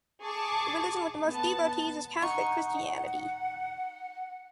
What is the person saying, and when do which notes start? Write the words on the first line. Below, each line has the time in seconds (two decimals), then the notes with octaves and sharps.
The religion with the most devotees is Catholic Christianity.
0.23 G#4 A5 C#6 D6
1.26 B3 A5
2.22 D#4 F#5 C#6